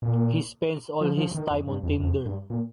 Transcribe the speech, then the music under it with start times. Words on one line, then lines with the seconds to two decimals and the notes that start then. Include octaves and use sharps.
He spends all his time on Tinder.
0.02 A#2
1.01 F3
1.17 F3
1.35 D#3
1.51 F2
1.67 G2
1.83 F2
2.00 F2
2.26 G2
2.50 A#2